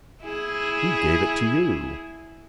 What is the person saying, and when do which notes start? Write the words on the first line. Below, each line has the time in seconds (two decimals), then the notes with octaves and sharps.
Who gave it to you?
0.24 E4 G#4